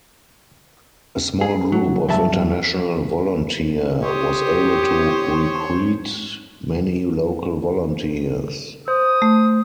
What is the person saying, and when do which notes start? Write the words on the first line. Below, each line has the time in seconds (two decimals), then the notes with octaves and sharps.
A small group of international volunteer was able to recruit many local volunteers.
1.41 G#4
1.72 F#3
2.08 G2 F#3 E5 A5
4.03 G4 C5 C#5 D#6
8.88 C5 D#6
9.22 A3